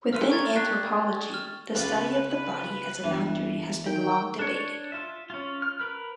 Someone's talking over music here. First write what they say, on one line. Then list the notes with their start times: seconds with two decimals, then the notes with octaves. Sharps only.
Within anthropology, the study of the body as a boundary has been long debated.
0.13 A3 B3 F4 F6 D#7
0.31 A#4 C#5 D5 C#6 G#6 A6
0.55 D4 G4
1.34 F6
1.75 C#2 F4 B4
3.04 G1 E3
3.86 D#3 G5
4.39 D4 C#5
4.92 F4 E5
5.30 C#4 F4
5.62 F6
5.80 A#4 B4 F6